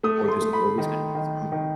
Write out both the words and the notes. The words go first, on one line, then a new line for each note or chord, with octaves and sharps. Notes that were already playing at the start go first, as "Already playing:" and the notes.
or there's always gonna be some
A3 D#6
C6
A3
B5
D#3
D#3
D#3